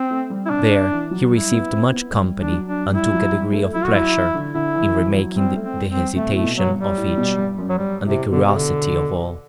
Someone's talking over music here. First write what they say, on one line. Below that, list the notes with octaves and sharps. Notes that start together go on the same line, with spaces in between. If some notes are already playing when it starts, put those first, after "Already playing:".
There he received much company, and took a degree of pleasure in remarking the hesitation of each, and the curiosity of all.
Already playing: C4
A3
G3
E4
C3 D4
E3
F#3
G3 E4
B3
C4
B3
G3
D4
F#3
D4
G3 E4
F#3
G3
A3
F#3 E4
F#4
F#3 E4
E3
D3
D3 E4
E3
E3
F#3
G3 C4
A3
C4
G3
C4
G3
C3 A3
A2 A3
B2
F#3
G2
G3
A2
B2
G2
F#2
F#3
G2 G3
A2 C3
B2 D3
C3
D3